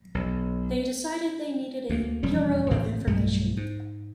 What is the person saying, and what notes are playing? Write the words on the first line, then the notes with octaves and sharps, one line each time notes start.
They decided they needed a "bureau of information".
B1
D2 A#3
E1 F2 G3 C#4
A1 A2 D3 C4
B1 G2 G3 A3
G#2